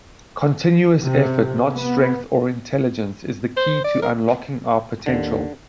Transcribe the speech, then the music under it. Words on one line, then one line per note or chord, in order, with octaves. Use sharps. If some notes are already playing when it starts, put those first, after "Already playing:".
Continuous effort – not strength or intelligence – is the key to unlocking our potential.
C3
B3
C5
D5
A#4
D#2 D3